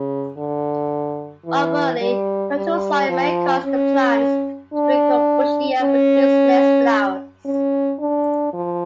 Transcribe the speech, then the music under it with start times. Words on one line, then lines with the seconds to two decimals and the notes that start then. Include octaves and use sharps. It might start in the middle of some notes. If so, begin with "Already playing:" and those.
Overly fertile soil may cause the plants to become bushy and produce less flowers.
Already playing: C#3
0.37 D3
1.46 E3
2.01 G3
2.55 G3
3.09 F3
3.65 C#4
4.74 D4
5.82 C#4
7.46 C#4
8.00 D4
8.54 F3